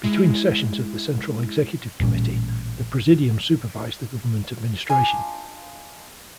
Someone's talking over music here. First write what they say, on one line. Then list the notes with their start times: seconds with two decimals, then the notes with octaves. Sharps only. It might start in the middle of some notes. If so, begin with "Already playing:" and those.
Between sessions of the Central Executive Committee, the Presidium supervised the government administration.
0.04 G#3 E4
2.00 A1 A#2 G3 C#4
4.90 D4 D#4 F4 G#5